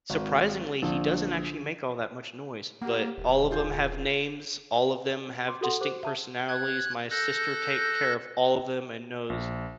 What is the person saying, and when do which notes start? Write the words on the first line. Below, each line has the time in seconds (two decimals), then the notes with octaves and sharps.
Surprisingly, he doesn't actually make all that much noise, but all of 'em have names, all of them have distinct personalities, my sister take care of all of them and knows
0.10 G#1
0.82 A#1 D3
2.81 A#3 G4 F#5
3.18 D#1
3.51 F4 G#4 G6
5.48 C6 D6
5.61 F#4 A4 F#5 C6
5.81 G4 C5 D6
6.03 E5 A5
6.48 F#6 G#6
7.10 A4 F#6 G6 A#6
9.30 A#1